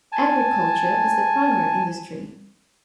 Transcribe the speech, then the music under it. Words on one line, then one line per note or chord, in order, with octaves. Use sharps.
Agriculture is the primary industry.
G#5 A5